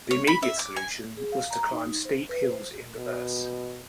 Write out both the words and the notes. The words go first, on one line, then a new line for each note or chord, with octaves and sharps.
The immediate solution was to climb steep hills in reverse.
C#5
B5
E5
D6
G#5
G#4
F5
A#5
D#4
C5
B4
C5
B2